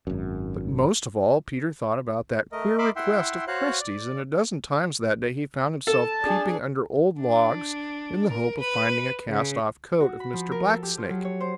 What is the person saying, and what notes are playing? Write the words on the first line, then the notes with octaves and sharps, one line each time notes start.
But most of all Peter thought about that queer request of Cresty's, and a dozen times that day he found himself peeping under old logs in the hope of finding a cast-off coat of Mr. Black Snake.
G#1 F#2
A3 A#4 D#5
A#4 D#5 E5 B5 C6 D6
E4 E5 F#5 G5 C6
F#4 C5 C#5 F5 F#6
D5
A4 A5
D4 G#4
D4
A#4
B4
C#3
F#4
B5
F3
A#4
A4
G4
F4
F#3
C#5
C5